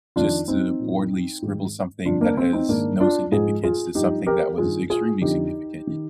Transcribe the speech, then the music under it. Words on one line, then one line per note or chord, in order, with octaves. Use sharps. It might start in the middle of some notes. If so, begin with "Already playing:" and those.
just to boredly scribble something that has no significance to something that was extremely significant,
F2 D#3 D4 F4
C4 D#4
A#2 F3
G#2 D#3
G2 D3 F3 D4 F4
A#3 D4
C4
C4 D#4
G#2 D#3 A#3 D4
D4 F4
G#2 F3 F4 G#4
F4 G#4
G2 F3 D#4 G4
G4 A#4
G2 D#3 F4 G#4
F4 G#4
F2 D3 F3 D#4 G4
D#3